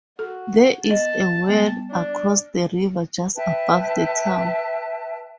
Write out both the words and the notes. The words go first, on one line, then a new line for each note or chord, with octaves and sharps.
There is a weir across the river just above the town.
F#4 A4
B3 D#5 A5
G3 B3
D4
B4 E5 G5 A5